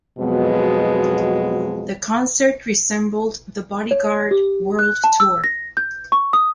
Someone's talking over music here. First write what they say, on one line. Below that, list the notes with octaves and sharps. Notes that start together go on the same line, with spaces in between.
The concert resembled The Bodyguard World Tour.
F2 B2 F#3 G#3 B3
C#5
G4
F#6
A5
E6
A#6
G6
C#6
D#6